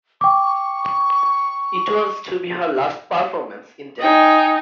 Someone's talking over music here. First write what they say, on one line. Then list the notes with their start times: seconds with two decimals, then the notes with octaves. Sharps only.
It was to be her last performance in Denmark.
0.21 G5 C#6 D6
4.01 D#4 G5 G#5